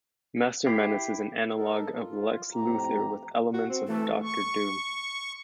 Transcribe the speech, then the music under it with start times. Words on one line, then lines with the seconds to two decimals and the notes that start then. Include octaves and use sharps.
Master Menace is an analogue of Lex Luthor with elements of Doctor Doom.
0.66 E4 G4 B6 C7
1.54 D#4 A4 A#4
1.92 F4
2.52 F2 A2 G4 A#5
3.53 F#4
3.69 C4
3.88 E3 A3 A4
4.22 C#6